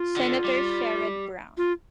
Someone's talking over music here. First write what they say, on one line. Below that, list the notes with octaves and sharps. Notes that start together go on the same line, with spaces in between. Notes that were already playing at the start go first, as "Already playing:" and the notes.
Senator Sherrod Brown.
Already playing: F4
D3
G3
F4